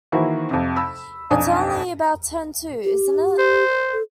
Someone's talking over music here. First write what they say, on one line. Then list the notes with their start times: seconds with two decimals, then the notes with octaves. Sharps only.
It's only about ten to, isn't it?
0.12 D#3 E3 A#3 E4 F#4 C5
0.51 F2 C3
0.76 B5 E6
1.30 B1 F2 D4 D#4 G#5 D#6
2.84 G4
3.39 C5
3.93 A4